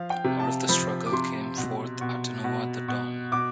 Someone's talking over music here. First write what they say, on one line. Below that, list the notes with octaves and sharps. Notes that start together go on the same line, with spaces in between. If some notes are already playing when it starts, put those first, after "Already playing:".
Out of the struggle came forth Atanua, the dawn.
Already playing: F3 F5
G5
C3
A5
F3 B5
D6
C3 C6
B2
B2
B2
B2
B2 D6